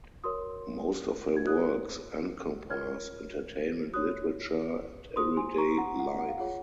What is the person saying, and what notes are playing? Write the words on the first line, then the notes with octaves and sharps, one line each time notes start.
Most of her works encompass entertainment literature and everyday life.
F#4 A#4 C#5 C6 D#6
G#6
F4 A#4 C#5 D#6 F#6
F4 A#4 C#5 F6 G#6
F#4 C#5 D#6 F#6
F4 G#4 C5 C6 D#6
G#5 C6
A#5 C#6
F#5 A#5
F#5
F#5
F5
F4 G#4 C#5 F#5